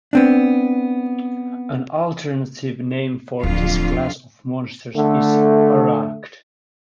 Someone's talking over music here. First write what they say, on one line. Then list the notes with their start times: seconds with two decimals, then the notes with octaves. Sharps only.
An alternative name for this class of monsters is Arrachd.
0.13 B3 C4 D4
3.43 D1 F2 D3 F4
4.96 D3 A3